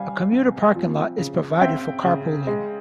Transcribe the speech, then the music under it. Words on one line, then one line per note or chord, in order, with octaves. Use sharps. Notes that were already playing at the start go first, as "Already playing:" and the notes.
A commuter parking lot is provided for carpooling.
Already playing: G3 F5 G#5
C3
F3
C#3
C4 E5 G5
C#3
G#3